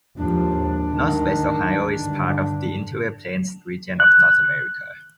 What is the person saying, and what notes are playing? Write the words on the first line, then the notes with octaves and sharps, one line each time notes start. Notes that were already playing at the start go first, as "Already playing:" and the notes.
Northwest Ohio is part of the Interior Plains region of North America.
D#2 G#2 F3 D4
D2 G#2 D#3
G2 D3
F#6